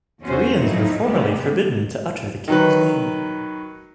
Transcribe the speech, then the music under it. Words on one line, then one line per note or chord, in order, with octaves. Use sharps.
Koreans were formerly forbidden to utter the king's name.
E2 C#4 F#4 C5
F3 F#3 D#4 E4
D2 C3 G#3 B3 G4
D#3 F#3 B4